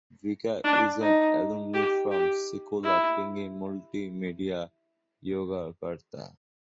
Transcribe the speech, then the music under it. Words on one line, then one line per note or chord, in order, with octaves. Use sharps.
Vika is an alumni from Sekolah Tinggi Multi Media Yogyakarta.
D4
D#4
G4
G4
E4